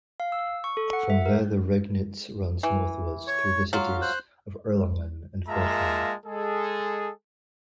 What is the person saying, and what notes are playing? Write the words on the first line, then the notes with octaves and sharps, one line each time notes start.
From there the Regnitz runs northwards through the cities of Erlangen and Forchheim.
F5
E6
C#6
A4
F#5
E5
A#4
E3
C#5 C#6
F#3 F4 F6
C5 F#6
G#3 A#3 F4 E5 A5 A#5
G#3 G#4 A4